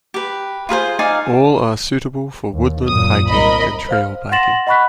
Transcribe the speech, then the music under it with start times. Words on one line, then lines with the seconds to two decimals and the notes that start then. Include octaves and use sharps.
All are suitable for woodland hiking and trail biking.
0.14 G4 B4
0.69 F4 G#4 B4 C5
0.99 D#4 D5 F5 G#5
2.53 D#2
2.87 F#2 A#2 D#6
3.28 C2 A#4 D#5 B5
3.89 C5 F5 F6
4.32 F#5 C6 A6 A#6 E7 F#7
4.67 D#5 F#5 B5 C#6 F#6 B6